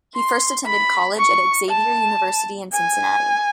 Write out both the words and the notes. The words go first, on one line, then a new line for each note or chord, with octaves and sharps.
He first attended college at Xavier University in Cincinnati.
C6
B5
C#6
A5
G#5